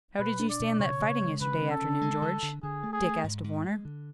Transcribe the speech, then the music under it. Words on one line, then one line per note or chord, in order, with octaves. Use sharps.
"How did you stand that fighting yesterday afternoon, George?" Dick asked of Warner.
B2 B4
D4
D5
B2
C#3 C#5
C#3
G#3
C#3 B4
C#4
A4
C#3
G#3
D3
D3
D3 G#4
A3
G#4
A3
G#2
G#2
G#3
D3